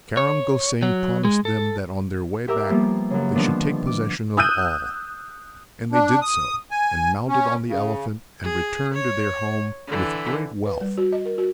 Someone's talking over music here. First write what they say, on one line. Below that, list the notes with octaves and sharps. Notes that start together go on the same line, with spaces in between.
Karam Gosain promised them that on their way back they should take possession of all; and they did so and mounted on the elephant and returned to their home with great wealth.
C#5
F#3
G#3
A4
E4 G4 A#4 E5 G5 D6
F3 G3 A#3 B3 F4
F#2 C#3
D3 D#3 F3 G3 B3 D4
D6
D#6 E6 F#6 G6 D#7
D4
D#6
G#5
C#4
C#3
G#4
C#5
D3 E3
B4
G3
F#4
D#5
A#4
F#4